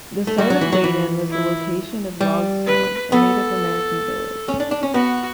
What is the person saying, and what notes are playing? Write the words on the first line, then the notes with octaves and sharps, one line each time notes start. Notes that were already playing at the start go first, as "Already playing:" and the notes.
The site of Baden was the location of Logstown, a Native American village.
A3
G3 F#4
F#3
E3
F#3
E3
E4
G3
B4
B3 A4
C#4
D4
D4
C#4
B3 F#4